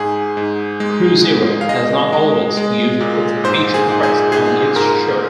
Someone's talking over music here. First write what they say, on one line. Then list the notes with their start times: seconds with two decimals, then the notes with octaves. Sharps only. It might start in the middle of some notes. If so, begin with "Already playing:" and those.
Cruzeiro has not always used its official crest on its shirt.
Already playing: G#2 G#4
0.37 G#2
0.80 G#3
1.25 G#3
1.61 F5
1.69 G#3 D#5
2.13 G#3
2.57 G#3
3.01 A#2
3.44 G#2 C5
3.74 G#4
3.88 G#2
4.03 G#4
4.32 G#2 G#4
4.76 G#2 A#4